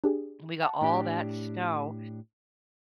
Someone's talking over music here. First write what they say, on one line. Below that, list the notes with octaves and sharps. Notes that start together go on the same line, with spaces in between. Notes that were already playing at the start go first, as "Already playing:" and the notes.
We got all that snow
D4 G4 G#4
F#5 A5
A2 D4 G4